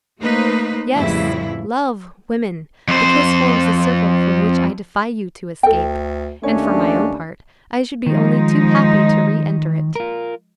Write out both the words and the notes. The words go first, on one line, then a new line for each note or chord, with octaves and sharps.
Yes, love, woman, the kiss forms a circle from which I defy you to escape; and, for my own part, I should be only too happy to re-enter it.
A3 A#3 D#4 B4 C5
F2 A2 C#3 E3 G3 E4
F2 C5
D2 A4 G5
D#2 A3 C#4 D4 C#5
D#3 F3 G#3 D#4
F4 A#4